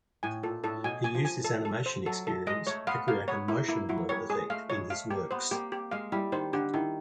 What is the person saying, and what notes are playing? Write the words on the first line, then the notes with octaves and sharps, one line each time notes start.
He used his animation experience to create a "motion blur" effect in his works.
A2 G#5
A#2 A4
A2 A4
B2 G#5
G#5
F3
G#5
A4
A4
C5
F#3 A4
A4
G#3 D#5
A3 C#5
B3 F5
A#3 F5
B3 C#5
A#3 E4
A#3 E4
F#3 E4
G3 C#5
G#3 G#4
A3 F5
G#3 C#5
A3 F5
A#3 G4
B3 C5
A#3 G4
G4
G#3 F5
G3 E4
D#3 C5
D3 G4
D#3 E4